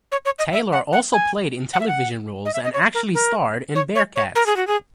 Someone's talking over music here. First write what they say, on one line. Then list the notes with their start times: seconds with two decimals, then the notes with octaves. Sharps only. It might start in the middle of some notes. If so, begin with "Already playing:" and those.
Taylor also played in television roles and actually starred in Bearcats!
0.12 C#5
0.25 C#5
0.39 D#5
0.53 E5
0.72 F#5
0.93 F#5
1.13 G#5
1.73 F#5
1.80 E5
1.88 F#5
2.45 D#5
2.54 E5
2.64 D#5
2.74 C#5
2.94 A#4
3.15 A#4
3.75 C#5
3.95 C#5
4.16 C#5
4.35 A#4
4.46 G#4
4.56 F#4
4.67 G#4